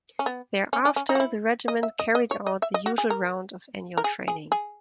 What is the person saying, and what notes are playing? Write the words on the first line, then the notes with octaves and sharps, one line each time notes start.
Thereafter the regiment carried out the usual round of annual training.
C#4
B3
C#4
C#4
C#4
D#4
F#4
E4
D#5
E5
D#5
D#5
C#5
D#5
E5
D#5
F#4
G#4
A#4
A#4
G#4
G#4
G#4